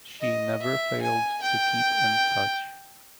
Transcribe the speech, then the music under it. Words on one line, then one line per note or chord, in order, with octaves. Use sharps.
She never failed to keep in touch.
D#5
E5
G#5
G5